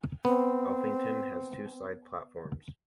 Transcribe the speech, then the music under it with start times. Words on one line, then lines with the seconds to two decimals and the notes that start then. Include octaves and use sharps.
Alphington has two side platforms.
0.25 B3 C4